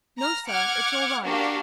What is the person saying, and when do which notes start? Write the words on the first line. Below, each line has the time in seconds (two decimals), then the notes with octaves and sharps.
"No, sir, it's all right."
0.18 A#5 F6
0.47 F#5 D6 F6 G#6
1.24 A#3 D4 F#4 G4 F5